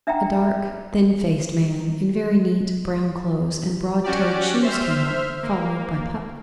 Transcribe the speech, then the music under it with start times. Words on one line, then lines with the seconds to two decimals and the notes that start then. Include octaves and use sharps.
A dark, thin-faced man in very neat brown clothes and broad-toed shoes came up, followed by Puck.
0.07 D4 E5 F#5 G5 A#5
4.04 C#4 F#4 G4 D5
4.62 C5 E5 F6
5.43 A#3